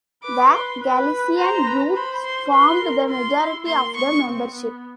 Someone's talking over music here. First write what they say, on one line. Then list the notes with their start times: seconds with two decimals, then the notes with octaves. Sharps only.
The Galician youths formed the majority of the membership.
0.23 B4 D6
0.53 C6
0.80 B4
1.38 C5 A#5
1.67 B4
1.96 C5 B5
2.24 C6
2.52 B4 C6
2.81 A#4
3.09 F4 C6
3.38 E4
3.66 A#3 C6
3.95 B3 C#6
4.25 C4
4.53 B3